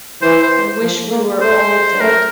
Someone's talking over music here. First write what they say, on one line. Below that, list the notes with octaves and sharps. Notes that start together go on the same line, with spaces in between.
I wish we were all dead.
E3 C5
C5
F3
A#3
A3 C5
A3 A#4